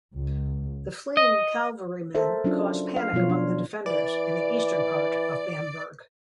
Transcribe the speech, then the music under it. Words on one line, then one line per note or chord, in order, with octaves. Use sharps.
The fleeing cavalrymen caused panic among the defenders in the eastern part of Bamberg.
C#2
D#5
A4 A#4 C5 E5
F#3 C#4 D4 F4
F5
B2 F3 F#3 F4 C#5
D4
E3 D5